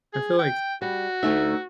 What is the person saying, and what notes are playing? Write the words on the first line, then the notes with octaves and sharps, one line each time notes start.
I feel like
G#4
G5
G3 F#4
D2 A3 D#4 E5